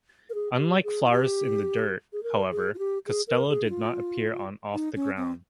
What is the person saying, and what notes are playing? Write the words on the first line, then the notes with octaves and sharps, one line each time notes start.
Unlike "Flowers in the Dirt", however, Costello did not appear on "Off the Ground".
A#4
G#4
G4
G#4
F4
G4
G#4
A#4
G#4
F4
G4
G#4
A#4
G#4
D#4
F4
D#4
C#4
C4